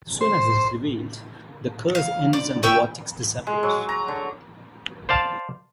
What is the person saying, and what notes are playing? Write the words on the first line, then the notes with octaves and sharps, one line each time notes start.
As soon as this is revealed, the curse ends and the vortex disappears.
C5
F5
D5
C#4 E5 G5 E6
G#3
F#3
A#5
D3
C5 D5 F5 A5